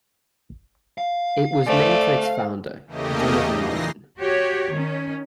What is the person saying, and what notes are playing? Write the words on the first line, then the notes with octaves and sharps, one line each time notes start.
It was named for its founder, Jonathan Martin.
F5
A3 C5 D5 G#5
E2 C#3 A3 A#3 G4 D#5
A#2 E3 D#4 A#6 C7
F#4 G4 C#5
D#3 C#4